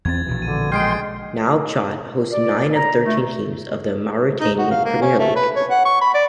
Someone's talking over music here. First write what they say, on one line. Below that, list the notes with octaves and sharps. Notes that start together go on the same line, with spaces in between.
Nouakchott hosts nine of the thirteen teams of the Mauritanian Premier League.
E2 C4 G#6 A6
A#1 B2 E3
D3 D#7
G#3 G5 C6 F6 C7 D7
D5
A#5
A3
D#4
F#4
F5
A#3
C#4
A3
B4
C#5
F#5
C#6
B5
D5